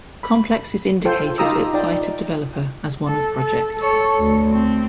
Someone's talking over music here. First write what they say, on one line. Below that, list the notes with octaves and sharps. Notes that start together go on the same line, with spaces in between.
Complex is indicated at site of developer as one of project.
B5
F4 A4 C5 G5
D#4 F4 G4 A#5 D#6 E6
D#4 D5 G5
A4
A4
A4 C#5
D2
C4